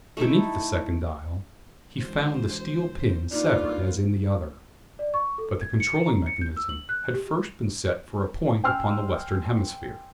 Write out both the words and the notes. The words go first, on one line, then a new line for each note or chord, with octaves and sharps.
Beneath the second dial he found the steel pin severed as in the other, but the controlling mechanism had first been set for a point upon the western hemisphere.
A3 D#4 E4 A4
E1 C5
A#2 B3 D4 D#4 F4
D5
C#6
A4
G#6
C#7
A#5
C#7
G6
E6
F#7
F#6
G4
G5 G#5 C6 E6 F6